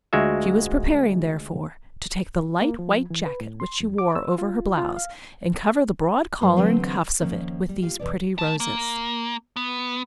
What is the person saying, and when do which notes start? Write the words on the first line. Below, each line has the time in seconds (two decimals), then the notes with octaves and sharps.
She was preparing, therefore, to take the light white jacket which she wore over her blouse, and cover the broad collar and cuffs of it with these pretty roses.
0.13 D2 G#3 F4 F#4 E5
2.61 A#3
2.79 F3
3.10 E3
3.26 B4
3.41 A2
3.60 C6
3.80 F2
3.98 D6
4.15 E6
4.38 F4
4.78 F4
4.96 F5
6.41 G2 F#3 G3 F5
6.56 D3 E3 F#3 C4 B4 C5
7.21 D#2 F3 A#3 C#4
7.69 G3
7.82 F4 G4 F5
7.99 E2 B2 D5
8.38 A3 A5
8.60 A#3
9.56 B3